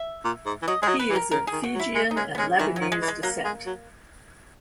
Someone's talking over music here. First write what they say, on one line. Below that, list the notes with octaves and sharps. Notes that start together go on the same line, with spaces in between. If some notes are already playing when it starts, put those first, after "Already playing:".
He is of Fijian and Lebanese descent.
Already playing: E5
A#2
G#2
E3
F#3 D#5
G#3 D#5
F#3
B4
E3
A#4
C#3 A#4
G#4
D#3
F#4
F#3
E4
G#3
D#4
G#3 C#4
B3
G#3 C#4
D#3 E3
D#3 F#3
G#3
E3
G#3
F#3 A#3
G#3
F#3